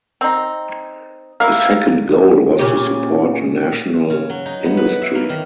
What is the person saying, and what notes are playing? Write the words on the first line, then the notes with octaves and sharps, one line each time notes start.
A second goal was to support national industry.
C4 D#4
A#3 E4 F5
A#2 C#3 G4
C#3
F#3
D#4
B3
B4
E5
A#3
D#3